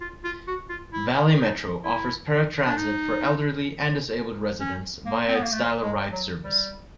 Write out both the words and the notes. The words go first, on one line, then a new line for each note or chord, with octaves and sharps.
Valley Metro offers paratransit for elderly and disabled residents via its Dial-a-Ride service.
F4
F4
F#4
F4
E4
D#4
E4
D4
D#4
C#4
A#3
C4
B3
A#3
A3
G#3
F#3
G3